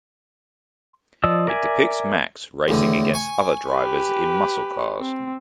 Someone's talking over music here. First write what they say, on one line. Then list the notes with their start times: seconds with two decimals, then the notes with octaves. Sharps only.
It depicts Max racing against other drivers in muscle cars.
1.24 F3 D5 D#5 E6
1.47 A#4 D5 E5 G#5
2.68 E2 A2 D3
3.14 G#5 C#6
3.70 G4 B4
5.01 C4